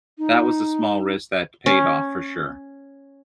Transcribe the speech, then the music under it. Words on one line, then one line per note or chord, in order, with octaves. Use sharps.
that was a small risk that paid off for sure.
D#4
C#4